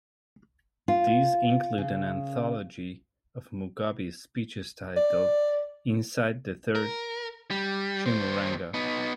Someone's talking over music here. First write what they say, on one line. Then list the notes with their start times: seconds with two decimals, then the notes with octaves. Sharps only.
These include an anthology of Mugabe's speeches titled "Inside the Third Chimurenga".
0.88 F4
1.78 C#3
4.97 D5
6.75 A#4
7.51 G3
8.06 D#2 C5
8.74 B3 D#4